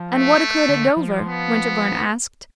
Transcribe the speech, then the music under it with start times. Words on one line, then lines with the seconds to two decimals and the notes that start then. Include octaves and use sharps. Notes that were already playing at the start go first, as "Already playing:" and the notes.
"And what occurred at Dover?" Winterbourne asked.
Already playing: F3
0.11 A3
0.69 D3
0.97 F3
1.26 B3